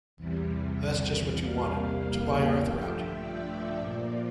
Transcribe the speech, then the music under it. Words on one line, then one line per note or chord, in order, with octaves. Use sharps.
That’s just what you wanted to buy Arthur out.
E2 C3 E3 G3
E2 C3 G3 A#3 F5
F5
G5
G2 D3 F3 A3
E5
D5
A#2 F3 A#3